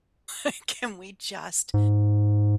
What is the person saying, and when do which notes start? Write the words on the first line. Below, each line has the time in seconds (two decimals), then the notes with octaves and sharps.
Like, can we just
1.74 G#2